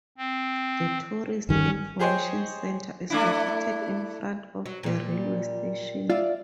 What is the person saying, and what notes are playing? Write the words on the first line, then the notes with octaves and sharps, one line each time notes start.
A tourist information centre is located in front of the railway station.
C4
G1 D#3 G3 C#4
G4 G#4 C5 C#5 D#5 G5
A3 D4 E4
F#3
A#2 G3
F4 D5 E5 F5